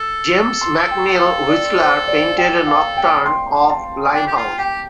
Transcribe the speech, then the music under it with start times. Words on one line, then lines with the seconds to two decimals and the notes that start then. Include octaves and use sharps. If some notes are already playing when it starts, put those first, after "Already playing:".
James McNeill Whistler painted a "Nocturne of Limehouse".
Already playing: A4
0.61 C6
0.91 G5
1.20 F5
1.49 D5
1.79 C5
2.08 D5
2.37 A4 G5
2.67 F5
2.97 G5
3.26 C6
3.70 A5
4.14 D4 G5
4.27 G4
4.36 F4
4.58 G4 G5